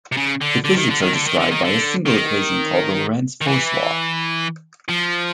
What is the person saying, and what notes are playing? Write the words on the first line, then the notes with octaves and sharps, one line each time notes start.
The physics are described by a single equation called the Lorentz force law.
C3
C#3
D3
D3
D#3
D3
D#3
D3
D#3
D3
D#3
D3
D#3
D#3
E3
F3